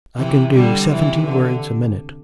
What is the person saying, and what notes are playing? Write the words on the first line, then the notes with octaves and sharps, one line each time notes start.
I can do seventy words a minute.
C3 E3
D3 G3
C3 E3
D3